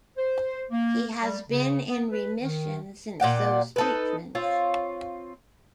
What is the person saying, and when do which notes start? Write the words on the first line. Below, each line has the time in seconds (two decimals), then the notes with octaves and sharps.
He has been in remission since those treatments.
0.17 C5
0.71 A#3
1.22 G3
1.48 C#3
1.87 B3
2.11 B4
2.41 D#3
3.20 A#2 D5 F#5 G5
3.76 D#4 A4 B4
4.35 C4 F4 C#5